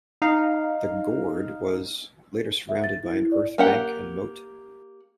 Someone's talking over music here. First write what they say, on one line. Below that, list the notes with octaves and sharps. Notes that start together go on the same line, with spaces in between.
The "gord" was later surrounded by an earth bank and moat.
D#4 F5
E5
A6
E4
E4
D5
A#3 G4 F#5